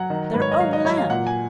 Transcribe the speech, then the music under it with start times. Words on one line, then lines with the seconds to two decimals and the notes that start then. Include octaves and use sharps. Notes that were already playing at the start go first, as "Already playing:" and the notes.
Their own Lamb!
Already playing: F#3 F#5
0.10 D#3
0.34 G#2 B4
0.42 C#5
0.52 D#5
0.60 F#3 F5
0.73 D#5
0.85 F#3 C#5
0.98 F5
1.10 A#2 F#5
1.27 G#5